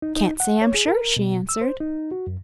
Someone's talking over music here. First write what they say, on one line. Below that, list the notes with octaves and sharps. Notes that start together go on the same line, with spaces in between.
"Can't say, I'm sure," she answered.
D#4
D#4
F#5
C#5
G#4
A#4
B2
E6
C5
D#4
F#4
F#2